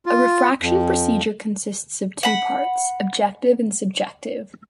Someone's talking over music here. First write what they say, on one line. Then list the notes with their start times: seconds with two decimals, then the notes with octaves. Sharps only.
A refraction procedure consists of two parts: objective and subjective.
0.06 F4
0.61 F2
2.23 F#5 B5